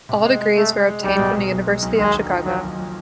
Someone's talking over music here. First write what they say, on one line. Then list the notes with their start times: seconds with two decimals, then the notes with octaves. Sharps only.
All degrees were obtained from the University of Chicago.
0.09 C3
0.25 G#3
0.40 G#3
0.56 G#3 A3
0.72 G#3
0.89 G#3
1.04 B1 G3
1.19 B2
1.36 B2
1.51 B1
1.66 G#3
1.82 B1
1.99 D#2 G#3
2.15 D3
2.31 F3
2.45 F3 F#3
2.62 D#2
2.78 F3